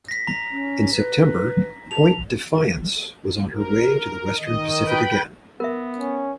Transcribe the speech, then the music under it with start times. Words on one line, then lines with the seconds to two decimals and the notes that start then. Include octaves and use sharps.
In September "Point Defiance" was on her way to the western Pacific again.
0.08 A#6 B6
0.27 A#5 B6
0.51 C#4
0.95 B4
1.91 A5 F7
3.52 A#4
4.38 D#3 D#5
4.87 B4 G5 B5
5.60 B3 A#4 E5
5.99 C#4